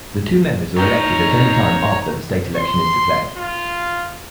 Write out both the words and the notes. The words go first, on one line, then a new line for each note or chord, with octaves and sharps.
The two members are elected at anytime after the state election is declared.
D#3 C#5 G5 A#5
C6
F4